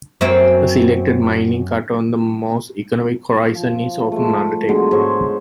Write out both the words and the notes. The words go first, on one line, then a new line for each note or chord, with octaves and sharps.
A selected mining cut on the most economic horizon is often undertaken.
F#2 A#3 C4
F3
G#3 A3
B2 D3 F#3 G#3
G#2 C5 C#5 C#6